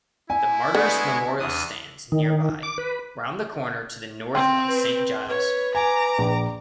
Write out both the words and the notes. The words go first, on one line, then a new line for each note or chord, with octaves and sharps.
The Martyrs' Memorial stands nearby, round the corner to the North on Saint Giles.
E4 G#5
D3 G#3 B3 C#6
E2 D4 D#6
D#3
D6
B4
C4 G5 C6
B4
B4 C#5
G#5 A#5 D6
A#1